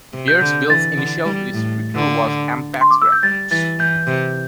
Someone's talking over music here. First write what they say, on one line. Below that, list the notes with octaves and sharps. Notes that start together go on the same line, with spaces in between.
Bearsville's initial distributor was Ampex Records.
C3
G6
D3
E3 A6
D3
G3
A2
D3
C6
D6
E6
G6
G3 A6
E3 A6
E3 G6
C3